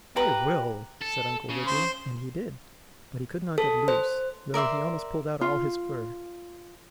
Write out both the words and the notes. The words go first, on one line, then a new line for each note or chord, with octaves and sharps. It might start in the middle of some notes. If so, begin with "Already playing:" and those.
"I will," said Uncle Wiggily, and he did, but he could not get loose, though he almost pulled out all his fur.
G4 B4 A#5
A4
C#3
C5
A4
C5
A#4 D5 E5 C6
F4